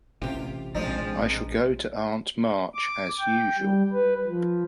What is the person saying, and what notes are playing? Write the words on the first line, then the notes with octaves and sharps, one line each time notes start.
I shall go to Aunt March, as usual.
A1 C3 F4 G4
A#1 B2 F3 G#3 C4 D4 D#4
D6
G5
G3
B4
F3